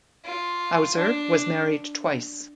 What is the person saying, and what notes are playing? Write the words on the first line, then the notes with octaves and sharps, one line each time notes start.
Hauser was married twice.
F4
D4